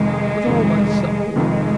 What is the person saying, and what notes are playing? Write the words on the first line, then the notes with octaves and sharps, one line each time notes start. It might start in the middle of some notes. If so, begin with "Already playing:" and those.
"With all my soul."
Already playing: F1 F2 D#3 G#3
F1 F2 D#3
F1 F2 D#3 G#3